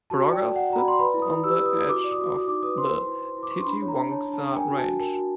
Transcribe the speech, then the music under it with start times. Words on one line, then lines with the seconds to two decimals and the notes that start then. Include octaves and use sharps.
Broga sits on the edge of the Titiwangsa Range.
0.10 F#4 A5
0.26 D5
0.33 G5
0.41 D5
0.55 D5 F#5
0.70 F#4 A#5
0.77 B5
0.85 D5 C6
0.99 B4 B5
1.14 E4
1.22 D#6
1.29 E4
1.44 G4 E6
1.59 B4
1.66 D#6
1.74 E4
1.79 D#6
1.88 F#4 D6
2.04 D5
2.11 D#6
2.18 F#4
2.32 F#4 D#6
2.47 D#4 D6
2.63 B4 D#6
2.77 C5 C6
2.92 E4
3.07 E4
3.22 C5
3.37 E4
3.43 D6
3.51 E4 C#6
3.59 C6
3.66 D4 B5
3.82 C#5
3.88 A#5
3.96 D4
4.11 C#5 A5
4.25 D4
4.33 A5
4.41 D4
4.51 G5
4.55 A#4 G#5
4.71 F#4
4.78 A5
4.85 F#4
5.00 A#4 A5
5.15 F#4